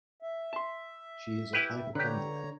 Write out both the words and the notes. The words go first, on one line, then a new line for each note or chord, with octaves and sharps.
She is a hypochondriac.
E5
A5 C6
E4 G4 B4
D3 G4 B4 C#5 A#5